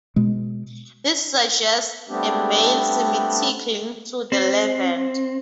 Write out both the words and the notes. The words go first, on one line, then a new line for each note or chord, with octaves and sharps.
This suggests a male Semitic link to the Levant.
B2 G#3
G3 A3 B3 C4 D4 G4
C4